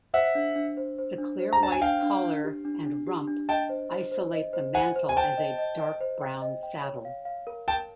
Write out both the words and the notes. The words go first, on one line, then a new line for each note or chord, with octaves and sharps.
The clear white collar and rump isolate the mantle as a dark brown 'saddle'.
C5 E5 F#5
D4
D4
C5
C5
D4
C5
A#5
D4 A5
G#5
D4 F5 G5
D4
D4
G4
D4
D4
G4
D4
D#5 G5 A5
C5
C5
C5
D#5
C5
C5 F#5 G#5
C5
G#5
C5 G5 A5
D#5
D#5
D#5
C5
G5
D#5
G5
C#5
F5
F5
A#4
A#4 G5 A5